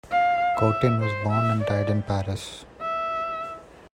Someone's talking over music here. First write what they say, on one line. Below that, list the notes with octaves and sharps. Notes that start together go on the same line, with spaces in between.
Cotin was born and died in Paris.
F5
E5
C5
E5
D5
E5